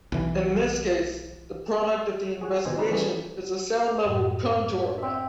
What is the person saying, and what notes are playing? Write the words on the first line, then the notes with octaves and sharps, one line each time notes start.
In this case the product of the investigation is a sound level contour map.
B1 E3
G#4 C#5 F#5
B2 D#3 C5 D#5 G#5
C#4 D#4 E4 B4 D5
E3 F3 G3 C#4 G#4
F#2 A2
C4 E5